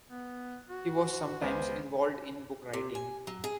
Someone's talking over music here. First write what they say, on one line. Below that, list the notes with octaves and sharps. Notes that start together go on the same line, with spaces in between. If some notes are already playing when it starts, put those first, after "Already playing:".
He was sometimes involved in book writing.
B3
F#4
C#2 B3 C5 G#5
C3
G#5
F#3
G#4